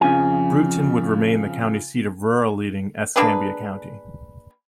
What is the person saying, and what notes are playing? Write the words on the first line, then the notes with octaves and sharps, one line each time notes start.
Brewton would remain the county seat of rural-leaning Escambia County.
F2 C#3 F3 G#5
A#3 D4 G#4 B4